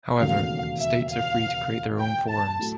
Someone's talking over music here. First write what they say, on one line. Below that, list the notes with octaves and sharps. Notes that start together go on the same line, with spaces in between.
However, states are free to create their own forms.
E1 D#2 C#3 F#3 A3 F5
E5
F5
G5
A5
A2 F#3 A3